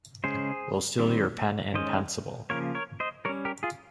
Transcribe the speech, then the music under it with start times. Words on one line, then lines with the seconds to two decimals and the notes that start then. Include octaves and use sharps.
We'll steal your pen-and-pencible.
0.24 C#3 G#3 C#4 G#4 C5
0.99 D#3 G3 C4
1.74 D#3 G#3 C#4 C5 D#5
2.50 C#3 F3 A#3 A#4 C#5
2.75 A#4 C#5
3.00 C5 D#5
3.25 G3 A#4 C#5
3.29 C#4
3.45 G4 A#4
3.63 F4 G#4